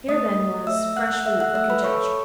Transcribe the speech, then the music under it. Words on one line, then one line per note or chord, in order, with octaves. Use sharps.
Here then was fresh food for conjecture.
A3 D#5 D#6
A3
A3 E5 E6
A3 F#5 F#6
A4 E5 E6
F#5 F#6
A3 E5 E6
B4 B5
A4 C#5 C#6